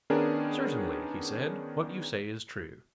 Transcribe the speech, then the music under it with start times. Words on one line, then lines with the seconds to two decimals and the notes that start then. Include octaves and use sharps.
Certainly, he said, what you say is true.
0.10 D#3 B3 C#4 D4 G#4 A#4